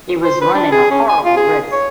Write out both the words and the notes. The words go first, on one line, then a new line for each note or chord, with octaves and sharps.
He was running a horrible risk.
C5
B4
D4
G#4
C#4
G#5
F4
G#4
C#5